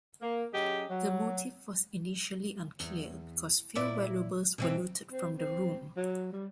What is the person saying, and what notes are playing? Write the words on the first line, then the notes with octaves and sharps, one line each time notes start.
The motive was initially unclear because few valuables were looted from the room.
A#3
F#3 C#4 G4 G#4 D#5
F#3
E2
A#2 E4 D5
B2 E3 C4
C4
C4
F#3
G3